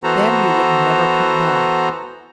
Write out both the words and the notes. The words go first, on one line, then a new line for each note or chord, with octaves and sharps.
Then you would never come back.
E3 B3 F#4 A4 C5 A#5